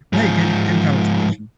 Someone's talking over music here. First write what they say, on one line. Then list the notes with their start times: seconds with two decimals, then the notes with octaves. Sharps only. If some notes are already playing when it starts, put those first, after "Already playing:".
hey, good good conversation.
0.13 G#2 F3